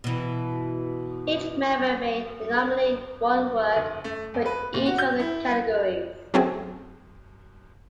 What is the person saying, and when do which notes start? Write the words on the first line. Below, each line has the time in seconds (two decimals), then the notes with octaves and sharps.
Each member may nominate one work for each of the categories.
0.04 B2 E3
3.76 F1
4.04 A3
4.34 F2
4.46 B4
4.74 A#2
4.86 F#4
4.98 G6
5.19 E4
5.49 B4
6.34 F#3 A3 C4 C#4 G#4